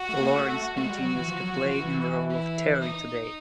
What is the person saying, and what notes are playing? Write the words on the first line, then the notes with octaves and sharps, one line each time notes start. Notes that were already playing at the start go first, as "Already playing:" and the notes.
Lawrence continues to play in the role of Terry today.
Already playing: F#4
A3
A#3
A3
A3 F#4
G#3
G3
F#3
E3
F3
F#3
F3
F3
E3
E4
D#4